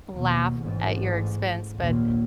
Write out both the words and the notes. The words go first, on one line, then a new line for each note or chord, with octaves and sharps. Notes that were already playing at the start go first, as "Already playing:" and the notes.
laugh at your expense, but
D#2 B2
A1 G#2
A#1 D#2